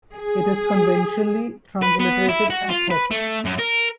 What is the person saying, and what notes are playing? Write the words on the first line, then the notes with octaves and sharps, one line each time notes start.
It is conventionally transliterated Akhet.
G#4
B4
B3
E4
F#4
F4
B4
A3
F#2
A#4